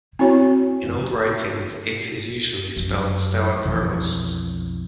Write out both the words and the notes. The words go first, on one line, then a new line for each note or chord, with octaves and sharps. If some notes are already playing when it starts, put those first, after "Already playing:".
In old writings it is usually spelled Stower Provost.
C4 E4 F#4 C#5
F#2
B1 F2 E3